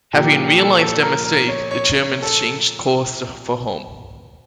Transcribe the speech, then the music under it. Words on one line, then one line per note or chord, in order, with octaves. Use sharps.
Having realised their mistake, the Germans changed course for home.
A#2 F3 A#3 G4
G4
A4
A4
A#4
A#4
C#5
C#5
C#5
A4